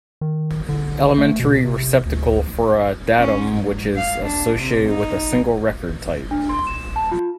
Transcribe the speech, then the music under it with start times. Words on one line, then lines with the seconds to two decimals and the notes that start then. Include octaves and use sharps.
Elementary receptacle for a datum which is associated with a single Record Type.
0.21 D#3
0.69 D3
1.18 A3
1.40 B2
1.65 C3
2.06 D2
3.19 C#4
3.52 G#2
3.96 F5
4.26 D4
4.57 C3
4.89 D#4
6.31 D4
6.49 C6
6.67 E7
6.96 A5
7.11 F4